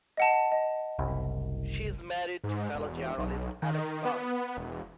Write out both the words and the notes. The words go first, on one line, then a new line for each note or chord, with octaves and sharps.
She is married to fellow journalist Alex Burns.
D#5 F#5 A5
D#5
F#1 C2
G#2
E1
B1
D#3
B3
E1